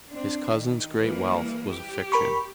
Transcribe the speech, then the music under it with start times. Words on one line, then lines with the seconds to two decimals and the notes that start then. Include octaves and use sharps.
His cousin's great wealth was a fiction.
0.11 C4 D4
0.54 D#3
1.00 E3 G3 A#3
1.70 G4
2.12 A#4 B5 C#6